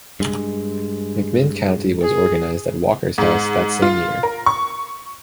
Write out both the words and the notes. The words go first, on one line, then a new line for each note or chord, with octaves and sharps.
McMinn County was organized at Walker's house that same year.
G2 G#3
G#4
G#2
F4
A#4
C#6